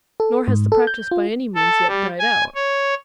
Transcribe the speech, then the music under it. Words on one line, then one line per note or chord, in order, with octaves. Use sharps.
Nor has the practice by any means yet died out.
A4
G#2
A4
G6
F4
A4
G3
G#5
C#5